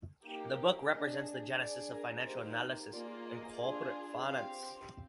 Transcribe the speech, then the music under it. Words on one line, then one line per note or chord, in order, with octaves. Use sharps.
The book represents the genesis of financial analysis and corporate finance.
A#3 D#4 G4
D4 G#4 D#5
D4 G#4 D5
A#4
A#3 D#4 G4 C5
A#3 F4 G#4 D5
D#5
D4 F4 G#4
C4 G4 F5